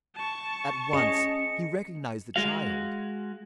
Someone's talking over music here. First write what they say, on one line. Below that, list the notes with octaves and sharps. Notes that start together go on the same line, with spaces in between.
At once he recognized the child.
A5 C#6
C#4 G#4 D#5 C#7
G#3 F#4 F5